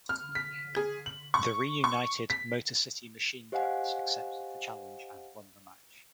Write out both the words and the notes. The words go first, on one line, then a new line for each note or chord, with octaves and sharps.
The reunited Motor City Machine Guns accepted the challenge and won the match.
F6
B6
G#4
F#7
C#6
C#6
B6
G4 C5 D#5 F5 F#5 G#5